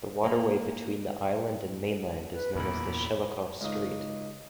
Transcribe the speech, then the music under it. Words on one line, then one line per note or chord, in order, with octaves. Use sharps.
The waterway between the island and mainland is known as the Shelikof Strait.
A#3
B4
E2 A#2 B5
C#2 D#4